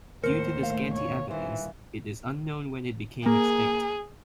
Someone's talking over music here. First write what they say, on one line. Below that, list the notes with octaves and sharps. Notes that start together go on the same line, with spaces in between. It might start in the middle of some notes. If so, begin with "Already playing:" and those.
Due to the scanty evidence it is unknown when it became extinct.
D#2 A2 A#4 C5 C#7
A3 F5
B2 D3 C#5
G2 A#2 D#3 E3 C5
A#3 G#4